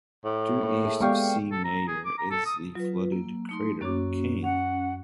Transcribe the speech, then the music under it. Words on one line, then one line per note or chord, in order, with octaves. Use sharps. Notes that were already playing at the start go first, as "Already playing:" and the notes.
Due east of C. Mayer is the flooded crater Kane.
A2
A#3 C#5
G#4 A4 E5
G#3 B3 G4 D5 F5 C#6
A4
A#5
G#4
D6
A#5
A4
D#6
F#3 F4 B4
A#3
A3 D#4 C6
F#2 A#3 C#4 F#4 C#5 D6
C#4 F#5